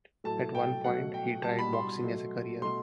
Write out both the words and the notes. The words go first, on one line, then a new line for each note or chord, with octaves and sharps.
At one point he tried boxing as a career.
A2 F#3 A3 A5
G5
B2 F#3 A3 F#5
G5
B2 G3 A5
B5
C6
B2 F#3 A3
B2 A3 C6